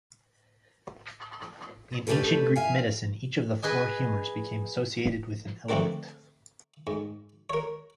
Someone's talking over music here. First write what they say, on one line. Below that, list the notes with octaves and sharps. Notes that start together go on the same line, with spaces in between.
In ancient Greek medicine, each of the four humours became associated with an element.
B2 A3 D4 G4 A4 B4
E5 F5 G#5
G#4 B4 D#5 G#5
D3 F3 A3 C4 D4 A#4
G#2
A#4 C#5